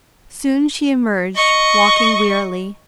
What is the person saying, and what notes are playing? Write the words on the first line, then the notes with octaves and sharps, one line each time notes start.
Soon she emerged, walking wearily.
D#5 C#6